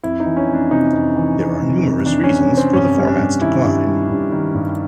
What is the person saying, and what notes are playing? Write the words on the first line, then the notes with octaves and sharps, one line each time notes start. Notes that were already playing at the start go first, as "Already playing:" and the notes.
There are numerous reasons for the format's decline.
F2 E4
D#4
E3
C#4
F2
D4
C3 D#4
F2
E3
F2
C3
F2
E3 D4
F2 C#4
C#4
C3
C4
G2 C#4
G3 C#4
D4
G2
D#3 E4
G2
G3
G2
D#3
G2